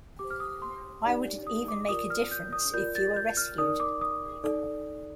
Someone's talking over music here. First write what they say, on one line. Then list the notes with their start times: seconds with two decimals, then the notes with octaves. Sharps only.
Why would it even make a difference if you are rescued?
0.19 G4 C5 D6
0.30 F6
0.40 D#6
0.62 C6
1.04 D#4 G4 D5
1.47 D#6
1.68 D6
1.89 F4 A#4 D5 D#6
2.10 F6
2.31 G6
2.53 D#6
2.74 F4 A#4 D5 G6
2.95 A6
3.16 G6
3.37 F6
3.58 D#4 A#4 D5 D#6
3.80 D6
4.01 D#6
4.44 D#4 A4 D5